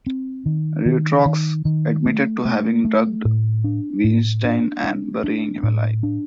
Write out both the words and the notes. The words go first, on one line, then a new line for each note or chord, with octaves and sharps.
Dutroux admitted to having drugged Weinstein and burying him alive.
C4
D#3
D#3
D#3
D#3
A3
A3
A3
A2
D4
A2
D4
D4
D4
A2
D4